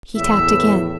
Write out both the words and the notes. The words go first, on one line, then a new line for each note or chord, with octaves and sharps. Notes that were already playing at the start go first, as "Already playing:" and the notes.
He tapped again.
E2 A2 E5